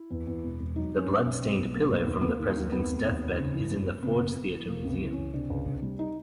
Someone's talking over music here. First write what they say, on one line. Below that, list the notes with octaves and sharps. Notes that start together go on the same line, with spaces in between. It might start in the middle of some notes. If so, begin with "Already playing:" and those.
The blood-stained pillow from the President's deathbed is in the Ford's Theatre Museum.
Already playing: E4
E2
E2
E1
E1
F#3 D#4
F#3
C#4
A#3
C#4
B1
F#3 C4
B1 B3
F#3 A#3
B1 A#3
D#2 B3
D#3 B3
A#3
D#3
A#3
D#2
F1 B3
F1
D#2
F1
C#3
E3
F#2
F#1
C#3 B3
F#1
F#1
E3
C3 A#3
C#2 C4
B3
E3
C#4
C#2
C3 D4
C#2
C3
G3
D#4